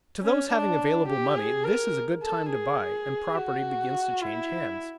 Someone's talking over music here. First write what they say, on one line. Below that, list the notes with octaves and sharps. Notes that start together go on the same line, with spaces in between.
To those having available money this is a good time to buy, and property begins to change hands.
C#4
D4
G4
G#4
A#4
A4
G#4
F#4
E4